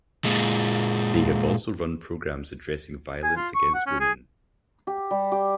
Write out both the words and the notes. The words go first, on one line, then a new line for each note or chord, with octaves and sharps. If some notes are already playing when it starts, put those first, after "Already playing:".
They have also run programs addressing violence against women.
A#2 G#3
G#5
F4
C#6
F#5
C#4
G#4
G4
G3
G4